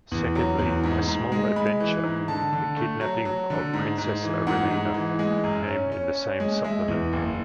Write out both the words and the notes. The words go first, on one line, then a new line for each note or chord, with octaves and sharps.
Secondly, a small adventure, "The Kidnapping of Princess Arelina", came in the same supplement.
E2
F#3
E2
G#2
G#2
G#3
G#3 B5
E3
G#2
D3 A5
D3
A3
F#3
F#3
D3
G#2
G#2
E3
G#2 F#5
G#2
E3
G#3
F#2
C#4
C#4
C#4
G#3
G#3 E5
E2
F#1